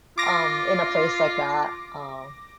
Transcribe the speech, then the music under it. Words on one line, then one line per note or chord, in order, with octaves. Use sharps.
um, in a place like that, um,
F4 D6 A#6